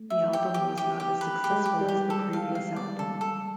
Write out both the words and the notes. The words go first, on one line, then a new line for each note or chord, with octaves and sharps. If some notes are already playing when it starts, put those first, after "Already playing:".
The album was not as successful as the previous album.
Already playing: A3
E5
G4
G4
G4
G4
B4
G4
G#3
G4
G3
G4
A4
F5
F5
D5
A4
A4